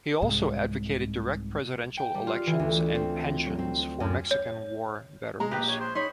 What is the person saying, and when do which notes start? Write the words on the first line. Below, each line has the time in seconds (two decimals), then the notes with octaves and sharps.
He also advocated direct presidential elections and pensions for Mexican War veterans.
0.22 C2 G#2 G#3
1.97 G5
2.15 G3
2.27 F4
2.47 E3
2.59 D2
2.95 C4
3.46 F#3
3.59 C4
4.00 F#2
4.31 C#5
5.40 G#3 A#5
5.51 A#1 G4 B4 A#5
5.68 C#5
5.80 C5
5.95 D#4 C#5 B5 C6